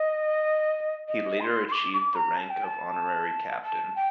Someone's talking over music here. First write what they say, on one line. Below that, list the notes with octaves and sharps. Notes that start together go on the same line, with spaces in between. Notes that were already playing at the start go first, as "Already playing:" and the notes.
He later achieved the rank of honorary captain.
Already playing: D#5
D#5
C6
C6
D6
D6
A#5
A5
G5
A5
A5
G5